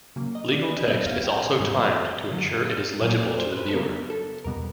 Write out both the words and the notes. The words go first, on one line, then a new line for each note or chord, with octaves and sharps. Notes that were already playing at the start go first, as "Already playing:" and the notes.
Legal text is also timed to ensure it is legible to the viewer.
C#3 F#3 A#3
D#5
D5
D#5
B2 F#3 B3 E5
F5
G5
G#5
G#2 E3 G3 B3
F#2 D3 F#3
A#2 F#3 A#3 G#5
D5
C5
B4
A4
C#3 F#3 B3 A#4
A4
E2 B2 G3 B3 A#4